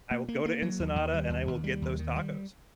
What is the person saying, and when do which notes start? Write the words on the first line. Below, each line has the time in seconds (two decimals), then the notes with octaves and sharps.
I will go to Ensenada, and I will get those tacos.
0.11 A#3
0.28 A#3
0.46 A#3
0.62 F#3
0.80 D#2
0.96 D#2
1.14 G3
1.30 D#2
1.47 D#2
1.64 G3
1.82 D#2
1.99 D#3
2.16 G3